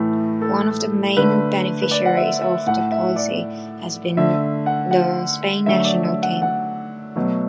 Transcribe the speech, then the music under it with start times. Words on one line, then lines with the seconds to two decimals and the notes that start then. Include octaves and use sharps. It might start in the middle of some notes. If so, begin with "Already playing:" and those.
One of the main beneficiaries of the policy has been the Spain national team.
Already playing: A2 E3 A3
0.42 A4
1.17 D3 A3 B4
1.82 B4
1.91 D5
2.05 F#5
2.17 E5
2.42 E5
2.66 A2 A3 F#5
2.92 E5
3.16 D5
4.17 D3 A3 E5
4.66 F#5
4.91 F#5
5.66 D3 F#3 A3 E5
5.85 D5
6.04 E5
6.22 F#5
6.42 F#5
7.16 B2 F#3 A3